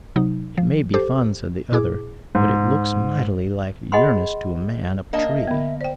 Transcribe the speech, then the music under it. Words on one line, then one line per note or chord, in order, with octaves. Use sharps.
"It may be fun," said the other, "but it looks mightily like yearnest to a man up a tree."
C3 F#3 D#4
F3
G4 A4 C5 D6
A#2 E4 G#4 D6
G#2
G#4 D#5 F#5 G#5 B5 C6
A#3 D4 D#5 A5
E5
D3 B3
C5 D5 G5